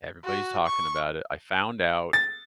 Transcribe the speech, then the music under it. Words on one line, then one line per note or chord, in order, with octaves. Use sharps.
everybody's talking about it, I found out
F#4
C#6
A6